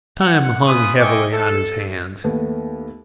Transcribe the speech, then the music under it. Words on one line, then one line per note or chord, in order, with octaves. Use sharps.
Time hung heavily on his hands.
F#5
F4 B4 G#5 B5 D#6
D#5 E5 G5 G#5 C#6 D6
A4
D#2 A3 B3